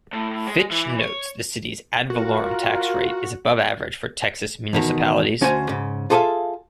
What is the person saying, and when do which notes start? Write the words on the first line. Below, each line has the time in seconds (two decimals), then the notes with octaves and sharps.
Fitch notes the city's ad valorem tax rate is above average for Texas municipalities.
0.13 A2
0.47 G#3
0.71 E3
0.99 C#5
2.10 F4 F#4 A#4
4.73 E2 B2 D#3
5.41 D2 C#4 F#4 C5 G5 G#5
5.69 G#2 C#3
6.10 F4 G#4 A4 D5 E5 F5